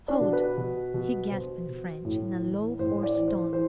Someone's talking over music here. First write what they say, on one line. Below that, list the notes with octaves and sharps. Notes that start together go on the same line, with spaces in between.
"Hold!" he gasped in French, in a low, hoarse tone.
D4
B2
B4
B2
B2
B2 C5
B2
A2
E3
A2 C5
D5
E3
C5
E3 C5